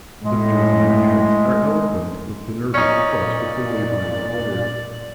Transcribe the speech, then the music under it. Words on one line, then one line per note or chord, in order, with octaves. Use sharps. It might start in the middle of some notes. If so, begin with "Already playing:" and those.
Blisters on the hands are eloquent of the nervous clutch of the wavering rider.
A2 G#3
A#2 C#4 D#4 D5